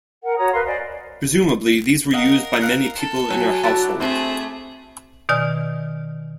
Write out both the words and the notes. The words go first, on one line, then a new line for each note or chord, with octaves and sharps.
Presumably these were used by many people in her household.
A#4 F#5
F#4 C#5 A#5 D#6
A#4 B4 F5 C6
C5 D5 D#5 G#5
A#4 D#5 F5 F#5
F5 F#6
A4
F#3 F#4 G#5
D4 E4 A5
A3 C4 G#4 E5
B2 D#3 D5 G#5 F6